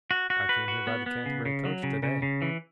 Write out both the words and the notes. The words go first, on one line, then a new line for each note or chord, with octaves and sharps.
'I came here by the Canterbury coach, today.
F#4
F#4
B4
F#4
B3
B3
C#3
C#3
F#3
C#3
C#3
C#3
E3